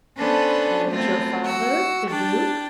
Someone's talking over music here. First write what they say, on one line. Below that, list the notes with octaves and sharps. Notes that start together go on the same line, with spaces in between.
"And your father--the Duke?"
B3 C#4 D4 A4 B4 C5
F#2 A3 B3 C4 F4
F#4 E6
D4 G5 A6